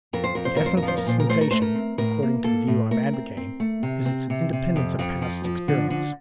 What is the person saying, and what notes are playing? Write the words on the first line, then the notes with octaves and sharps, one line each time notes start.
The essence of sensation, according to the view I am advocating, is its independence of past experience.
F2 A#4
C5
F2 A#4
C5
F2 A#4
C5
A#4
F3
C5
A#4
A#2 C5
A#4
A3 C5
A#4
A3 C5
A#4
C4
A2 A#4
A#3
A#3 A4
A2
A3 A#4
C4
C4
A3
C3
C4
C3
C3
F2
F2
F3
F3
D3
D3